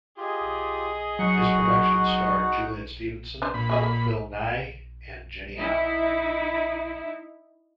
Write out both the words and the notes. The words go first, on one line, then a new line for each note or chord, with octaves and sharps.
His production starred Juliet Stevenson, Bill Nighy and Jenny Howe.
F4 G4 G#4 D#5
F#3 D#4 F#4 F#5 C#6
D4 B4 C5
A#2 B5
F#4 G#4 D#5
A#3
D#4 E4